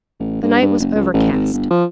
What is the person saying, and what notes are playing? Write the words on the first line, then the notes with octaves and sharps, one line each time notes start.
The night was overcast.
A1
G2
G2
F#1
C#2
A1
G#1
G1
F3